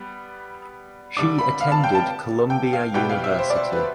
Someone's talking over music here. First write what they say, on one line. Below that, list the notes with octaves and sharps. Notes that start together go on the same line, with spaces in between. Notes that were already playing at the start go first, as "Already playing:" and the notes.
She attended Columbia University.
Already playing: G3 B3
D3 G3 D4 D6
B5
F5
A5
G5
A5
G5
F5
B2 G3 B3 E4 G4 G5
F5
E5
C5
D5
B4